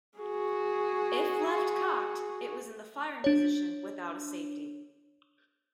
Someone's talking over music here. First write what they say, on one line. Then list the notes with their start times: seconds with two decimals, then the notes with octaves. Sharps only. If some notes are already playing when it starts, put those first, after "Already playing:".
If left cocked, it was in the firing position without a safety.
0.19 F#4 G#4
3.24 D4 C#5